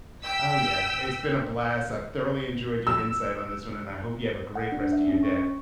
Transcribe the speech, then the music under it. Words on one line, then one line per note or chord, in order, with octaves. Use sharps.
Oh, yeah. It's been a blast. I've thoroughly enjoyed your insight on this one, and I hope you have a great rest of your day.
G5 E6 B6
E6
F#5
D4
E5
C#4
C#6